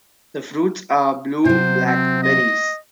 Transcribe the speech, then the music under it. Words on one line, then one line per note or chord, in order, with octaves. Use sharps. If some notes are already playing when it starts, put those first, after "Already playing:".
The fruits are blue-black berries.
C3 F#3 C5
C4
D#5